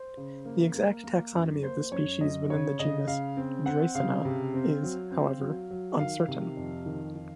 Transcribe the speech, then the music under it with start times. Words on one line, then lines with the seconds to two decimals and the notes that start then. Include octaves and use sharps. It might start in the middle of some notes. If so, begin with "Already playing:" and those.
The exact taxonomy of the species within the genus "Dreissena" is, however, uncertain.
Already playing: C5
0.17 C#3
0.45 A#3
0.74 A#3 A#4
1.04 A#3
1.33 F#2
1.63 A#3 C5
1.91 F#2 C#5
2.21 F#2 D#5
2.50 C#3 C#5
2.79 C#3 D#5
3.07 C#3 F5
3.37 C4
3.66 C4 F#5
3.95 C#3 F5
4.25 C3
4.54 C4
4.83 F#3
5.12 C4
5.41 F#3
5.71 F#3
5.99 D#3 F5
6.28 C3
6.57 F2
6.86 D#3
7.16 D#3